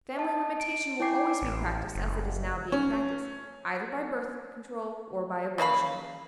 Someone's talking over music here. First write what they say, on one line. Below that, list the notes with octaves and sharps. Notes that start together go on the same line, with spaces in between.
Family limitation will always be practiced as it is now being practiced--either by birth control or by abortion.
D#5 A5
D7
E4 C#5 G5 G#5 D6 C7
A1
F#1
C#4
C#3 A#3 F5 B5